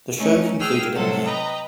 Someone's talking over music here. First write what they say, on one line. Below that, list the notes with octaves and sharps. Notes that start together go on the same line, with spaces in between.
The show concluded in May.
A3 C#4 D#4
G#4 G5 E6 F6
C3 F#3 G3 A4 C5 F#5
B4 D#5 G5 A#5